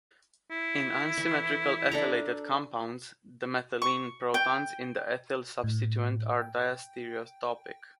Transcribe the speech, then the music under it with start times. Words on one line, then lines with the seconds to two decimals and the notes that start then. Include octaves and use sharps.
In unsymmetrical ethylated compounds, the methylene protons in the ethyl substituent are diastereotopic.
0.51 E4
1.17 E3
1.92 D4 A4 A#5
3.82 C#6
4.34 G5
5.64 A2
6.42 G5